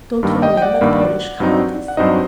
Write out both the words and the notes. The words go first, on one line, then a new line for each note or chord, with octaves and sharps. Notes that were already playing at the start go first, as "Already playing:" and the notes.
Don't you remember the Polish Countess?
G2 D#3 G3 A#3
D#5 G5
G5
D5 F#5
G2 D#3 G3 A#3
G2 F#3 C4 D#4
F#5
G2 F#3 C4 D#4 C5 D#5